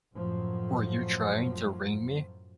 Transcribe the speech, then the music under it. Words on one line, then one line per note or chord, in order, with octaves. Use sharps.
Were you trying to ring me?
F#2 A2 F3 F#3